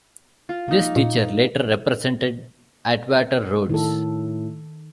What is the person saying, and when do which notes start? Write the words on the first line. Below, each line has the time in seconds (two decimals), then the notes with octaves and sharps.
This teacher later represented Atwater-Rhodes.
0.49 F4
0.68 A#3 D#4
0.96 A#2
3.69 A2 D#3 A4